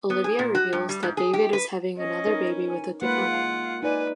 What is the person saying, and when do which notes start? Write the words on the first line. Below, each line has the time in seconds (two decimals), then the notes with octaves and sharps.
Olivia reveals that David is having another baby with a different woman.
0.10 B3
0.24 G#4
0.39 A#2
0.55 F#4
0.73 G2
0.89 G3
1.03 G#2
1.17 G#4
1.33 G4
1.53 B4
1.97 C#4 D#5
2.27 D#4 A#4 B4
2.67 G#5
3.02 G#3 A#3 F4 B4 F#5
3.32 F5
3.82 D#4 B4 D5 G#5